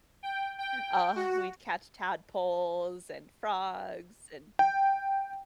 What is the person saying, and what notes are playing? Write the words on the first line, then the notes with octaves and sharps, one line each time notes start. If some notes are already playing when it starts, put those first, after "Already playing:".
uh, we'd catch tadpoles and frogs and
G5
G5
F#4
G5